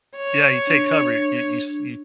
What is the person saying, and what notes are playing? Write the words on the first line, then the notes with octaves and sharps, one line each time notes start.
Yeah, you take cover. You you s y
C#5
D4